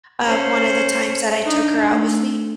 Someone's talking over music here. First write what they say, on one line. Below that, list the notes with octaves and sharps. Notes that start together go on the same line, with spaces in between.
um, one of the times that I took her out with me.
C#4 C5
D4 D#4
A3